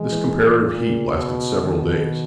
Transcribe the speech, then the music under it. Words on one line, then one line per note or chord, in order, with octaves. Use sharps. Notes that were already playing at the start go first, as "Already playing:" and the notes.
This comparative heat lasted several days.
Already playing: E3 G#3
E3
A#2
C#3
B2
B2 D#3